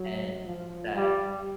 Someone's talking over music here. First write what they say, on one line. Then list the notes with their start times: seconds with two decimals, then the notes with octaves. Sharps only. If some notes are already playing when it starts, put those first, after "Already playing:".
And, that
Already playing: F#3
0.44 F3
0.96 G3